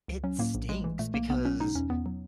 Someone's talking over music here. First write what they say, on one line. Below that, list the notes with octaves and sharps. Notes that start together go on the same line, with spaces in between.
It stinks because
C#2
F#3 C#4
A2 A#3
A#1
A#1 G#3
E3
A#2 A3
B1 A#3
B1 B3
F#3 C#4
B2 D#4
E2 C#4
E2 B3
F#3